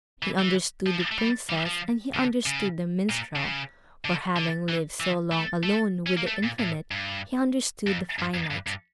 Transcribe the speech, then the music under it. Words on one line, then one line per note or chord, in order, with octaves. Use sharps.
He understood the princess, and he understood the minstrel; for, having lived so long alone with the Infinite, he understood the Finite.
E3
E3
F3
A3
G3
G3
F3
D3
C#3
A#2
D3
C#3
D3
D3
E3
E3
A3
A3
C#4
A#3
A3
A#2
A2
G2
F2
G2
F2
G2
G2